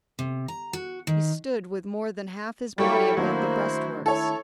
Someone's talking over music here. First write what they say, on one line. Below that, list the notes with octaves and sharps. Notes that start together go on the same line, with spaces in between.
He stood with more than half his body above the breastworks.
C3
A#5
F#4
D#3
F#3 G3 E4 A4 E5 F#5 G5 C#6
D#3 F#3 A3 A#3 D4 E4 F#4 C5
E4 A4 C#5